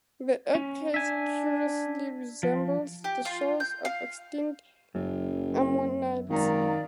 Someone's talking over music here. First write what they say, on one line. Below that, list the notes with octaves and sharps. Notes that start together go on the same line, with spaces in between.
The eggcase curiously resembles the shells of extinct ammonites.
C#4
D4 E5 G#5
F3
G4
F4
G6
F5
F#1 F#2
G#1 D#3 D5 F5 A#5